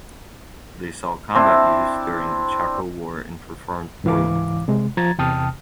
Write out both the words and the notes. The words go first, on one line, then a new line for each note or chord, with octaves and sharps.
They saw combat use during the Chaco War and performed poorly.
C4 D4 E4
C#2 G#2 E3 F5 D6
C3 G#3
F3 A#5 G#6 A6
E2 C3 G5 A5 D#6 F6